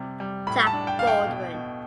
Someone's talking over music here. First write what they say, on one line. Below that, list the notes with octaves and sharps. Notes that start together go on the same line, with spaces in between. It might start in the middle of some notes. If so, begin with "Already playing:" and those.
Jack Baldwin.
Already playing: C3 G3
G3
A2 B5
A5
D4
G5
A2 F5
G5
B2
B2